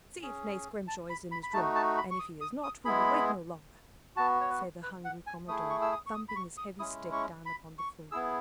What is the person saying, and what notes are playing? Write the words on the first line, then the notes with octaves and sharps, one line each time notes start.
"See if Nace Grimshaw is in his room, and if he is not, we will wait no longer!" said the hungry commodore, thumping his heavy stick down upon the floor.
C#4 G#4
A5
B5
B5
B5
A3 D#4 F#4 A5
A5
B5
C#6
D#6
D#6
D#6
G#3 B3 E4 G#4 B5
B3 F#4 A5
C#5
B4
B4
F#5
G#5
A3 E4 G#4 D#6
C#6
E6
D#6
C#6
D#6
B5
C#6
D#6
G#3 C#4 E4 D#6
C#6
B5
C#6
B3 E4 G#4 E6